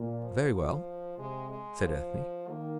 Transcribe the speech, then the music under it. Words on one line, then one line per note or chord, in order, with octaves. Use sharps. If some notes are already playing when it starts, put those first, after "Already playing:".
"Very well," said Ethne.
Already playing: A#2
F3
F3
C3 G#3
G#3
F3
D#3 A#3